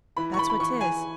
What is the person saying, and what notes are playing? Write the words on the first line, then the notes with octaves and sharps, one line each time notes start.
"That's what 'tis."
E3 B5
C#6
B5
B5
E3 C#6
G#5